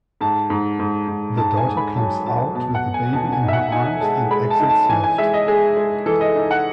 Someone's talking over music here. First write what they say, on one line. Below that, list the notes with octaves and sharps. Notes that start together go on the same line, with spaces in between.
The daughter comes out with the baby in her arms and exits left.
G#2 A5
G#2
G#2
G#2
G#2 A5
G#5
G#2
B5
F#3 A5
F#3 A5
B2 A5
F#5
B2
G#5
B2 A5
G#5
D#4
E5
F#5
D#4 G#5
G#3 A5
G#3 B5
A5
D#4
A5
E3 G#5
G#5
G#3 E5
D#5
G#3 G#4
G#3
E3 A4
D#5
D#4
F#5